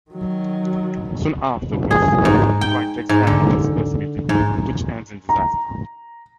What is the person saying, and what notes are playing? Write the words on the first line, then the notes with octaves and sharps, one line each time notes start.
Soon afterwards, Dwight takes Ryan on his first meeting, which ends in disaster.
D#3 F#3
G#4
G#2
G5
G#2
D3
G#2
A#5